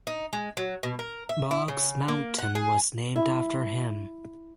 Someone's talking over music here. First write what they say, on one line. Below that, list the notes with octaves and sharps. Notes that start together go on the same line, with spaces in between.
Boggs Mountain was named after him.
D#4
G#3
F#3
B2
A#4
E5
E4
C#3
A#3
F#5
G#4
E4